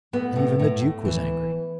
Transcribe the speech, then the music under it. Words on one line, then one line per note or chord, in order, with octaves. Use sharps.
And even the Duke was angry.
A2 B3
A2
A2
A2
E3